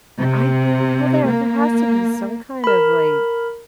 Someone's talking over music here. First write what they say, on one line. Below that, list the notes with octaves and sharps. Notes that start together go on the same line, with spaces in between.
I well there there has to be some kind of, like
C3
A#3
A#4 B5